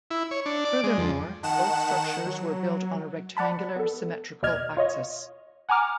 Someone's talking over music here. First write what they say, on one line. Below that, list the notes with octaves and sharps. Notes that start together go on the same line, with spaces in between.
Furthermore, both structures were built on a rectangular, symmetrical axis.
E4
C#5
D4
D5
G#3
F2
D#3 F#5 A5 E7
F#3
D5 F#5 A5 B5
B3 A4
D#2 B2 D5 D#5 F6 G#6
F4 C#5 D#5
F#5 G#5 A#5 D6 F6